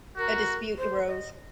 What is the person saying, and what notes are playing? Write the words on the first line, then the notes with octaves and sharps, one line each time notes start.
A dispute arose.
F#4 A#4
C5
D#5